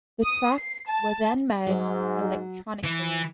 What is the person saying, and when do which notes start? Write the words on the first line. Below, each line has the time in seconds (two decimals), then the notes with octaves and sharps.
The tracks were then merged electronically.
0.23 D#6
0.56 C7
0.87 A5
1.67 G#2 F#3
2.83 E3